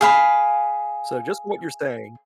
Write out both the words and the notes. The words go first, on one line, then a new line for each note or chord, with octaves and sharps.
So just what you're saying
G#4 F5 B5